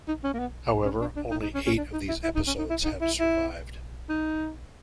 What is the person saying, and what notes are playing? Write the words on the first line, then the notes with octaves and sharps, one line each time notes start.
However, only eight of these episodes have survived.
D#4
C#4
A#3
B3
C#4
D4
D4
D#4
D#4
C#4
C#4
D4
D#4
E4
E4
D#4
C#4
D#4
E4
D#4
E4
E4
D#4